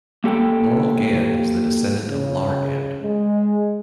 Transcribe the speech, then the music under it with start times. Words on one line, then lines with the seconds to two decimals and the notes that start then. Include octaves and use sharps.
Laurel Gand is the descendant of Lar Gand.
0.24 A#3 G4 A4 G5
2.10 C#3
3.03 G#3